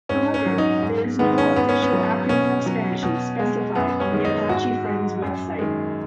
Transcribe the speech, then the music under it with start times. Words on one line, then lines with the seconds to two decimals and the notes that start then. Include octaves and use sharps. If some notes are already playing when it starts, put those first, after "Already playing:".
However, there is no official acronym expansion specified on the Apache Friends website.
0.09 G#2 C#4
0.34 C#4
0.46 F#3
0.58 D#4
0.83 G#2
1.19 D#3 G#3 B3
1.38 C#4
1.56 G#2 B3
1.69 C#4
1.82 B3
1.93 F#3
2.29 B2 C#4
2.66 F#3
3.03 B2
3.39 G#3
3.75 F#2 B3
4.00 C#4
4.12 D#3 G#3
4.25 D#4
4.49 G#2 F#4
4.85 G#3
5.22 F#2
5.59 D#3 G#3